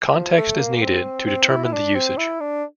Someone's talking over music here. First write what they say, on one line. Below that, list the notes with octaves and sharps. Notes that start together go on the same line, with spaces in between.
Context is needed to determine the usage.
F3
A3
A#3
A#3
C4
C4
E4
E4
D4
C4
E4
D4